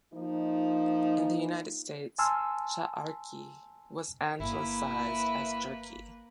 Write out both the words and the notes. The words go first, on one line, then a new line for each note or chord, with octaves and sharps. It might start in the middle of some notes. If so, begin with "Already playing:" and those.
In the United States "ch'arki" was Anglicised as "jerky".
F3 A#3 D#4
G#5 A5 C6 E6 F6
G1 A#3 E4 B4